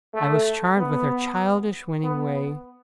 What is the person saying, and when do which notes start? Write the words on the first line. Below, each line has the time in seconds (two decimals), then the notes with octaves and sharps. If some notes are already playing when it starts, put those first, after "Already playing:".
I was charmed with her childish, winning way.
0.14 A3
0.77 B3
2.03 B3